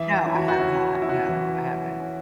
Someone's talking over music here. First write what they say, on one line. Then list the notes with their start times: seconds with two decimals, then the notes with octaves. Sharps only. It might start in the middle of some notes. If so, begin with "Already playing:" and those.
No, I have not. No, I haven't.
Already playing: E3 E5
0.12 E4
0.24 C#4 E4
0.35 F#4
0.48 F#4
0.59 C#4 E4
0.94 C#4 F#4
1.02 E4
1.09 F#4
1.29 E3
1.64 C#4
2.00 C#4